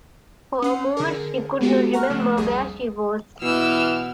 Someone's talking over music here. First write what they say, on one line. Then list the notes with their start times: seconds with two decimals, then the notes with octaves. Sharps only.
For a moment she could not remember where she was.
0.62 C#4 F#5 C7
0.97 D3 G#4 A#4
1.60 G#3 A#3 B3 F#4 G4 A4
1.93 F#5 A#5 C#6 F6 F#6
2.09 C#3 F3 A3 D4
2.36 A#1 E2 G3 G#4 D#6
3.42 B2 E3 E6 F6